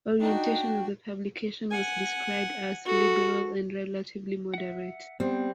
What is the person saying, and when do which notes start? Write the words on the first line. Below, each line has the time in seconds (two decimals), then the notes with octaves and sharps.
Orientation of the publication was described as "liberal" and "relatively moderate".
0.20 D4 D#4 F#4 G5
1.71 F#5 G#5
2.85 F#4 A4
4.54 E5 F#5
5.20 G3 B3 C4